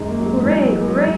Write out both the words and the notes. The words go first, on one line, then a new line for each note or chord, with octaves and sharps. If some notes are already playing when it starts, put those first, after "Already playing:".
Hooray! hooray!
Already playing: F#2 D#3 G#3
A#3
F#3
G#3
G#2 E3 A#3
F#3
G#3
F#3